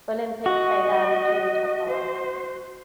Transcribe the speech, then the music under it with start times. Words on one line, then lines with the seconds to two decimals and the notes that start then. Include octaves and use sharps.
Olympic played out of Toyota Park.
0.46 F#4 D#5
1.89 C5